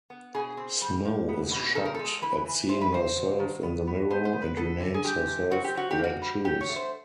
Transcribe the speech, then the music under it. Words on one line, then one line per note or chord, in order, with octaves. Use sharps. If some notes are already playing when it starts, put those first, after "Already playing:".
Snow is shocked at seeing herself in the mirror and renames herself "Red Shoes".
B3
B2 G#4
C4
G3
A#2
B3
B2
D#3 A4
A#4
G#3 A4
E3 B4
E3
C3 C5
B4
C3 C5
F#3
D#3
B3
B3
B3 C5
C5
B3
B4
B3 A4
D3
G#4
G#3 G4
C3
C4 F#4
G4
F#3 F#4
G4
A#3
F#4
G3
F#3 G4
C#5
A3
C5